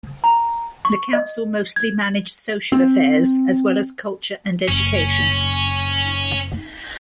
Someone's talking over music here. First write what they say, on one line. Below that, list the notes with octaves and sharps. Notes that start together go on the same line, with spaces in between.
The Council mostly managed social affairs as well as culture and education.
A#5
C#6
D#5
G#6
C4
F#1 C#4